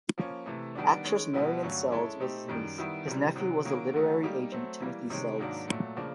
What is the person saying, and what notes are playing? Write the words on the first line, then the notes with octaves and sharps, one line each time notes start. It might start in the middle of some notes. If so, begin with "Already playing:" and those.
Actress Marian Seldes was his niece; his nephew was the literary agent Timothy Seldes.
F3 A#3 C#4
C3 E3 A3
D#3 G3 B3 D4
D#3 G#3 C#4
B2 G3 B3 E4
G2 D3 F#3 A3 C#4
G#3 C#4 E4 A4
A3 C4 D#4 G4
F#2 D#3 G3
D#3 G3 B3 E4
C3 E3 G3
C3 D#3 F#3
D#3 F#3 A#3 C#4
D3 F#3 A3
G3 A#3 D#4 G4
F#3 A3 C4
E3 G3 A#3
C3 D#3 G#3 C#4
G#2 D#3 F#3 A#3 D4
A#2 F#3 A3
C#3 F3 A#3 D4